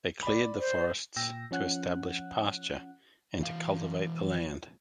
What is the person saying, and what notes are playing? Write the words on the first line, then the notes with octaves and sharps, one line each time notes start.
They cleared the forests to establish pasture and to cultivate the land.
D5 B5
C5
A#2 G5 E6 A#6
F3 C#4 F#5 F#6
E3 F5